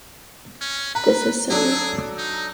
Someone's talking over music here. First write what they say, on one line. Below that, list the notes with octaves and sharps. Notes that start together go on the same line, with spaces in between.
This is similar.
C#4
B4 A#5
F#3 D4 G#4 A4
D#4